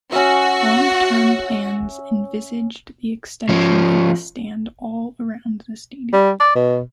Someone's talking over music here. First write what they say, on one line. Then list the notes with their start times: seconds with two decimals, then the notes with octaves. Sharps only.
Long-term plans envisaged the extension of the stand all around the stadium.
0.12 C#4 F#4 E5
3.49 F3 C#4
6.13 G3
6.40 D5
6.56 B2